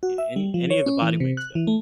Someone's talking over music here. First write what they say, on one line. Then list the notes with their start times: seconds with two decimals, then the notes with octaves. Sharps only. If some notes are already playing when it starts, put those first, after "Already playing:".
Yeah, any any of the body weight stuff.
0.03 F#4
0.18 E5
0.36 G3
0.54 F3
0.70 C#5
0.86 C#4
1.02 E3
1.20 C3
1.37 F#6
1.55 E3
1.67 A3